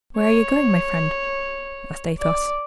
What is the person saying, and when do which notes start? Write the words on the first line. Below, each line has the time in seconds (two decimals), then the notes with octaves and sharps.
"Where are you going, my friend?" asked Athos.
0.17 C#5
2.19 D5